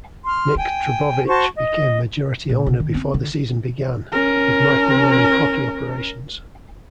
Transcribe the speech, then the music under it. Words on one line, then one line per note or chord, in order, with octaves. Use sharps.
Nick Trbovich became majority owner before the season began, with Michel running hockey operations.
C6 F6
G5 G#5
F#4 C5 A5 C#6
D#5
A#2
C#3
D#3
C4
D3
C#4 A#4